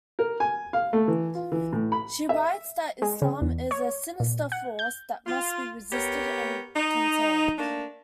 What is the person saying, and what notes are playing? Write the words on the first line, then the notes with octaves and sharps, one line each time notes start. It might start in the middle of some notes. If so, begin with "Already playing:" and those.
She writes that Islam is a "sinister force" that must be resisted and contained.
A#4
G#5
F5
A3
E3
F4
E3
A2
B5
E5
G#3
C#3
E2
C#5
A#2
F#5
G6
F4
B3 G4 A#4 C#5
D#4
A3 A#3 D4